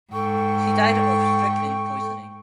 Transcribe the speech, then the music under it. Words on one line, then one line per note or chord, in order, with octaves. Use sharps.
He died of strychnine poisoning.
G#2 A4 G5 C#6